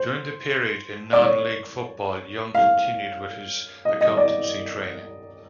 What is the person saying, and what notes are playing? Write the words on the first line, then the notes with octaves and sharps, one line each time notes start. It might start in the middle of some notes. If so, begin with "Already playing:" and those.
During the period in non-league football Young continued with his accountancy training.
Already playing: C5
D5
C#5
F5
D#5
D#5
D5